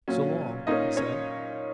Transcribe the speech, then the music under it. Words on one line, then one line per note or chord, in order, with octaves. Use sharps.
"So long," he said.
A#2 F#3 C#4
A#2 A#3 C#4 D#4 D#5
C#4 C#5